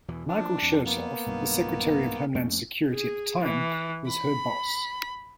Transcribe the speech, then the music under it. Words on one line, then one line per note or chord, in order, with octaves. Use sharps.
Michael Chertoff, the Secretary of Homeland Security at the time, was her boss.
E2 B2 E3
F3 D4
F2
A#3 B3
B1 G2 D#3
F2 A3 C#4
G#4
E3
B5